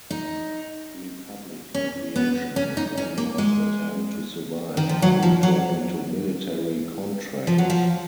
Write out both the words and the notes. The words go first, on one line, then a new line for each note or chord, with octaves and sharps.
Republic Aviation made one last attempt to survive by returning to military contracts.
D#4
C#4
B3
C#4
D#4
C#4
A#3
G#3
D#3
F3
F#3
F3
F#3
F3
F#3
F3